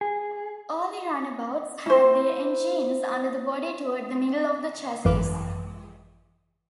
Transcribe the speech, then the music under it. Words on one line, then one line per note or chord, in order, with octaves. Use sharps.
Early runabouts had their engines under the body toward the middle of the chassis.
G#4
E4 C5
G#1 F#2 E3 B4 F5 D6